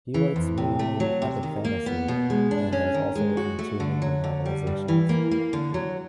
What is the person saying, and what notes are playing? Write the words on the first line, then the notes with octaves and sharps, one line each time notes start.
He writes mainly epic fantasy, and has also written two movie novelizations.
E3
F2
C3
A3
F#3
C3
D#3
A#3
B3
B2
G#3
D4
C#4
D#3
G#3
F#4
A3
D3
F#3
D3
G3
G2
E3
A#3
A#3
D3
F#3